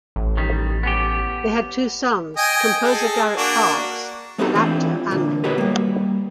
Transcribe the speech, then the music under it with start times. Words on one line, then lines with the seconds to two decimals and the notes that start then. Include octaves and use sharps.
They had two sons, composer Garrett Parks and actor Andrew.
0.16 A1
0.37 D#3 G3
0.83 B3 C#4 G4
2.37 D#5 G5 G#5
2.83 G#4 A4
3.37 A#3 D4 F#4
4.38 A3 B3 C4 D#4 G4 A4
4.55 E3 A3 C4 D4 E4 F4
5.11 A#2 D3
5.44 F#4 G4 A#4 B4 C#5 D#5
5.58 G3 A#3